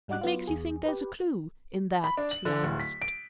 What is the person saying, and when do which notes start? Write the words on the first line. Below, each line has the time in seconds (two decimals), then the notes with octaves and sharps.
"What makes you think there's a clue--in that?" he asked.
0.08 G#2 G3 D#4 F#4 D6 F#6
0.21 F#3 B3 F4
0.47 E2 G#4
0.85 G4 B4
2.04 B5
2.17 D4
2.31 F#7
2.45 D3
2.63 D1
2.80 B6
3.02 D7